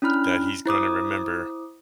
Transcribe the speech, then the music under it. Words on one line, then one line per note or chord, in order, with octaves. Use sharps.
that he's gonna remember
C#4 D4 E4 B5 F6 F#6
E4 C5 D6 D#6